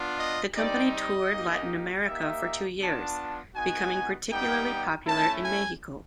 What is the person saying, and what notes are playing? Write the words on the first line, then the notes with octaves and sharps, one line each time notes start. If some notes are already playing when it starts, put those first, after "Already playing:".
The company toured Latin America for two years, becoming particularly popular in Mexico.
Already playing: B3 D4 F4
D#5
G3 C4 D#4 G4 D5
D#5
A#3 D#4 G4
A#3 D#4 G4 E5
B3 D4 F4 A5
B3 D#4 F#4 G#5
G3 B3 D#4 G4 G5
A3 C#4 E4 A5
G#5